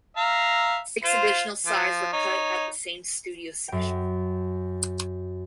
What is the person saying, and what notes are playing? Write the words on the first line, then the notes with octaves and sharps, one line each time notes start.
Six additional sides were cut at the same studio session.
E5 F5 A#5
F4 C5
F3
D#4 C#5
F#2 G5